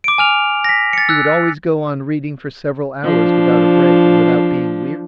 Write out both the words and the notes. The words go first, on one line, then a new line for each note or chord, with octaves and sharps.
He would always go on reading for several hours without a break and without being weary.
D6 D7
G#5 F6 F7
A#6 B6
A6 C#7
E6 F#6
F3 D4